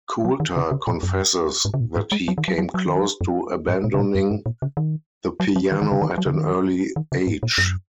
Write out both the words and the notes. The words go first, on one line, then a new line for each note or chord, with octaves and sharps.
Coulter confesses that he came close to abandoning the piano at an early age.
F#3
D#3
C#3
C#3
A#2
F#2
G#2
C#3
A#2
G#2
G#3
F#3
D#3
F#3
F#3
F#3
D#3
F#3
F#2
G#2
A#2
C#3
A#2
F#2
G#2
A#2
C#3
D#3
F#3
F#3
D#3
D#3
C#3
D#3
F#3
C#3
D#3
D#3
C#3
G#2
A#2
F#2